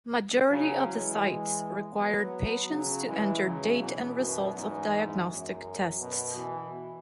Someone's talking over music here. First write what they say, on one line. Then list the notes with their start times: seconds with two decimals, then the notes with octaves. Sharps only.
Majority of the sites required patients to enter date and results of diagnostic tests.
0.50 C#3 F#3
0.87 E3 G#3
1.97 F#3 B3
2.70 C#3 F#3
3.06 E3 G#3
3.43 C#3 F#3
3.80 B2 E3
4.16 F#2 B2
4.53 E2 G#2
5.27 F#2
5.99 F#2 B2
6.36 B2 E3